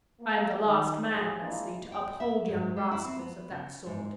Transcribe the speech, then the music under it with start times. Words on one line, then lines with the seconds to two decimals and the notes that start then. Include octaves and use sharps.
I am the last man, Leslie, to uphold young rascals of that sort.
0.20 A#3
0.65 D#3
1.11 A#1 E2 A2 G4 G#4
1.42 E3 G#3 A#3 D4 E4 F4
1.92 G5
2.20 E5
2.48 G#2
2.76 G#3
2.91 E4
3.05 C4
3.19 B3
3.50 C#3
3.86 G#2